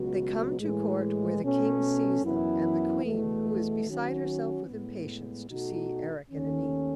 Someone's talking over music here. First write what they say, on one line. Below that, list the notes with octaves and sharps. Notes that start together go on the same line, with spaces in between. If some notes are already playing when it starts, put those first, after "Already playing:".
They come to court, where the King sees them, and the Queen, who is beside herself with impatience to see Erec and Enide.
Already playing: C#2 B2 F#3 B3 F#4
A2 E3 G#3
B2 A3 C#4
F#2 E3 B3 E4
E2 B2 A3
D#3 F#3 C#4 F#4
A2 G#3 B3
B2 A3 D#4 F#4
D#2 D#3 A3 C#4